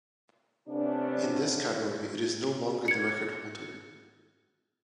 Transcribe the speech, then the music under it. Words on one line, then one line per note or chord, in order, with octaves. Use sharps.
In this category it is no longer the record-holder.
C3 A3 B3 C#4 D4
G#6 C#7